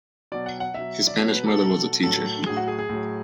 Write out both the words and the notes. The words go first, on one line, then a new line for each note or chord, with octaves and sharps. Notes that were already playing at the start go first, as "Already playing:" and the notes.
His Spanish mother was a teacher.
B2 F#3 D5
F#5
F#5
B2 F#3 E5
D5
B2 F#3 C#5
B4
A4
B2 F#3
A2 F#3 A4
A2 F#3 G#4
F#4
G#4
G#4
A2 F#3